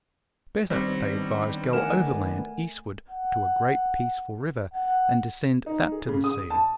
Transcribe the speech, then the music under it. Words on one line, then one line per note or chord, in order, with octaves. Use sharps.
Better, they advised, go overland eastward to a great peaceful river and descend that to the sea.
D#3 G3 B3 C4 D4 C#5 A#6
A3 A#4 F#5 G#5 E7
F#5
F#5
D#4
G#4
C#3
D#6
A5